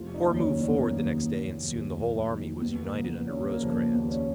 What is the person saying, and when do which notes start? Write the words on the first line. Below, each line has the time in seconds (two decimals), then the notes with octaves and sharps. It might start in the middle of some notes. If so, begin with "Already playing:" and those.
The corps moved forward the next day, and soon the whole army was united under Rosecrans.
Already playing: F1 F4
0.14 D#4
0.26 D#2 D#3 F#3
0.37 C#4
0.59 F1 C#4
0.68 B3
0.76 A#3
0.84 B3
0.92 D#2 D#3 F#3
1.26 F1
1.59 D#2 D#3 F#3
1.93 F1
2.26 D#2 D#3 F#3
2.60 D#2 B3
2.82 A#3
2.93 C#3
2.98 F3
3.04 B3
3.27 D#2 C#4
3.49 A#3
3.60 C#3 F3
3.71 A#3
3.94 D#2 B3
4.11 C#4